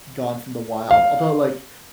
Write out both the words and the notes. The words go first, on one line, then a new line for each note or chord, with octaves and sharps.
gone from the wild, although, like,
F5